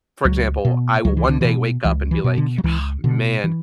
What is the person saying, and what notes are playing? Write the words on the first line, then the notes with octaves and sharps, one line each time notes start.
For example, I will one day wake up and be like, "Ah, man,
C#2 F#3
B2
C#2 F#3
E3
D3
B2 E3
C#2 E3
E3
B2
D3
F#3
C#2 E3
B2 D3
E3